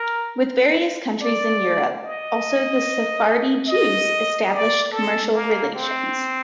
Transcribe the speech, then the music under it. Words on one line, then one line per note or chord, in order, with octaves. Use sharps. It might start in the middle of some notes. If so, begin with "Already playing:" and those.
With various countries in Europe also the Sephardi Jews established commercial relations.
Already playing: A#4
D5
D#5
D#5
D5
A4
A#3
C4